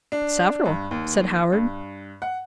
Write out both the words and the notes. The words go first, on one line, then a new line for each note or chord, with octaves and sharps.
"Several," said Howard.
D4
G2
D#2
G2
F#5